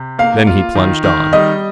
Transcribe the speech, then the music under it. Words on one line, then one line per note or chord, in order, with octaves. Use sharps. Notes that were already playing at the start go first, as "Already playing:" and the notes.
Then he plunged on.
Already playing: C3
A#3 F5
F4
D#3
D#3
G3 D#5